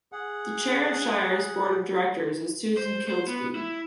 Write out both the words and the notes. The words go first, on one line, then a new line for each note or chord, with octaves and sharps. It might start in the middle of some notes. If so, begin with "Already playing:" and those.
The Chair of Shire's Board of Directors is Susan Kilsby.
G#4 F#5
C5
C5
B3
E4